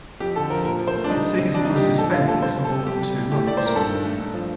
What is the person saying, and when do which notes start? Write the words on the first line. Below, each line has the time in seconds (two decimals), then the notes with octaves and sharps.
The season was suspended for more than two months.
0.20 F2 G4
0.36 D3 A4
0.50 F3 A#4
0.65 A#2 A#4
0.80 F3
0.88 C5
0.95 A3
1.04 D4
1.10 G3 D#4
1.24 G3
1.39 C3
1.53 G3 D4
1.65 D#4
1.69 G3
1.76 G4
1.84 A#2
1.98 F2 A4
2.12 D3 F4
2.28 A3 A4
2.42 G3 C5
2.58 G3
2.64 A4
2.72 C3
2.86 G3 G4
3.01 G3
3.16 A2
3.32 A3 G4
3.46 A3 D5
3.57 A#2 C5
3.66 A#4
3.75 G2 A4
3.90 D#3
4.05 A3
4.19 G2
4.34 F3